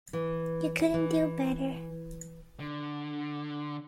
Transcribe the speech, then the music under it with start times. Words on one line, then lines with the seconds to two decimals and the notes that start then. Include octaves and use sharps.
You couldn't do better.
0.13 E3
0.94 E3
2.60 D3